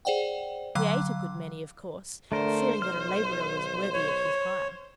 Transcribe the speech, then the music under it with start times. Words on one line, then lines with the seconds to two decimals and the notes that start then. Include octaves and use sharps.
We ate a good many, of course, feeling that the labourer was worthy of his hire.
0.05 G#4 C5 D5 F#5 G5
0.75 D3 F#3 F5 D6 F#6
2.32 D3 A3 A#4 C5
2.82 B1 F6
3.93 C#5